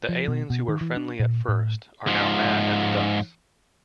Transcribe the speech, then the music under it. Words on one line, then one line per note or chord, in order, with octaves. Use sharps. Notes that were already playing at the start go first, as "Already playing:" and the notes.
The aliens who were friendly at first are now mad at the Ducks.
F3
B2
B2
D#3
E3
D4
A#2
A2
G#2 F3